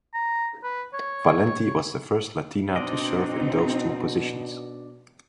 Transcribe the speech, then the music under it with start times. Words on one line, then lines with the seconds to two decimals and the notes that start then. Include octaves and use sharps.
Valenti was the first Latina to serve in those two positions.
0.14 A#5
0.63 B4
0.94 C#5
2.76 B2 C4 D4 D#4 D5 D#5